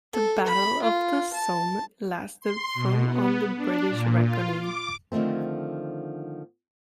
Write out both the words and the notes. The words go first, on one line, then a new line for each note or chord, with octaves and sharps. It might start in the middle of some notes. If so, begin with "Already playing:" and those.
The Battle of the Somme lasted from on the British reckoning.
A4
B5
F4
A5
C6
B2
B3
D4
A#2
F4
D6
D3 D#3 F3 A3 C4